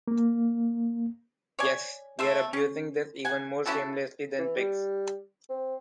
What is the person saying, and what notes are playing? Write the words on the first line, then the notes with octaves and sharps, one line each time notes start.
Yes, we are abusing this even more shamelessly than pigs.
A#3
C#5 D5 G#5
A3 C5 E5
C#4
F#5 G#5
C#4 E4 F#4 A4
E3
G3
C4